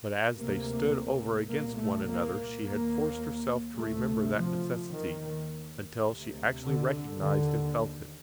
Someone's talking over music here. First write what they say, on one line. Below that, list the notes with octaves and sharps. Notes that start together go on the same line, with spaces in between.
But as they stood over against one another she had forced herself to remember that necessity until she actually recognised and felt it.
D2 C3 A#3
C2 A#2 A#3
A3
A#3
D#2 A#3
D2 C3 A3
F3
D#2 D#3
D2 C3
D3
D#2 D3